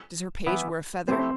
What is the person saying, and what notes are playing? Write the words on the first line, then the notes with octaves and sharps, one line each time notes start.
Does her page wear a feather?
E3 B3 E4 B4
A3 C4 E4 G4 C5